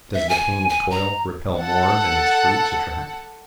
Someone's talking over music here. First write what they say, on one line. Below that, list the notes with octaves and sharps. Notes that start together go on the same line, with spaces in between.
Does the pain of toil repel more than its fruits attract?
E5
G#5
G#5
A#5
A4 F#5